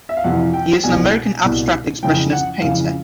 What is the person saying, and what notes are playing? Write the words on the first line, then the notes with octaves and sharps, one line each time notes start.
He is an American Abstract Expressionist painter.
E5
F5
F2 C3 E3 F#5
G5
C2 B2 G#5
C2 B2
F2 C#3 E3 G5
F#5
F2 C#3 E3 F5